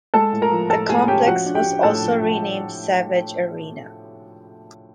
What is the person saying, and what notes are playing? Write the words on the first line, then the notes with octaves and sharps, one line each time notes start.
The complex was also renamed Savage Arena.
G#3 A4 A5
A2
A#4 A#5
F3
A2 A4 A5
A2 G#4 G#5
C#4 G4 G5
F3 F#4 F#5
D4
G4 G5
D4
A2 A4 A5
F3
F3